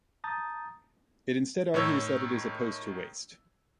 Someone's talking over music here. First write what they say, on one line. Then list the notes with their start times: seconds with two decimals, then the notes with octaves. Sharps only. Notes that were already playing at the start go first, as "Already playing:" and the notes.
It instead argues that it is opposed to waste.
0.24 A5 A#5 D#6 G6 A6
1.74 A2 D#3 C#5 E6